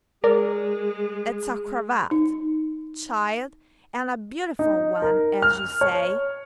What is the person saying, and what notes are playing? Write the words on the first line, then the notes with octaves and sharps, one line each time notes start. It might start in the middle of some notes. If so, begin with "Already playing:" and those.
'It's a cravat, child, and a beautiful one, as you say.
G#3 A#4 D5
D#4
D#4
A#4
F6
C#5